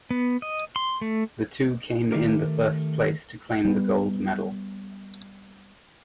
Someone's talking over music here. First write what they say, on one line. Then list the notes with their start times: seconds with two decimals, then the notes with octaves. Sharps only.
The two came in the first place to claim the gold medal.
0.11 B3
0.42 D#5
0.76 C6
1.01 A3
2.12 D#3 A3 A#3 G4 A#4
3.65 G3 B3